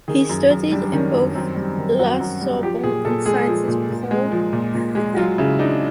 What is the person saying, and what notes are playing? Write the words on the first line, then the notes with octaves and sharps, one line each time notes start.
He studied in both La Sorbonne and Sciences Po.
D#3 G#4
F#2
F#2
G3 D4
D#3 C#4
F#2
F#2 C4
G3
D#3
F#2 F#4
F#2
G3
F3 G4
A#2 G#4
A#2 A4
G#3 G#4
F3
A#2
A#2
G#3
F3
A#2
A#2
G#3
F#3 F4
C#3 E4
D4 D#4